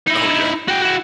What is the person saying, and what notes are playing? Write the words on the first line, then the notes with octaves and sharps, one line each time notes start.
Oh, yeah.
D#4 E4
F#4 G5
E4 F#4